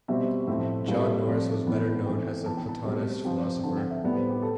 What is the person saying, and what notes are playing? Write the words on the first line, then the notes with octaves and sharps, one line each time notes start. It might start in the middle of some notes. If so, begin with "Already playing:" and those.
John Norris was better known as a Platonist philosopher.
B2 G3 C4 E5
A2 F3 A3 C4 E5
A2 G3 C4 F5
E5
E5
C3 F3 A3 C4 D5
A2 E3 B3
E3 A3 C4 G5
E3 B3 A5
G5
A5
B2 G3 C4
C3 F3 C4 G5
D3 F3 C4 A5
G5
E5
A2 G3 B3 D5
C5
G4
A4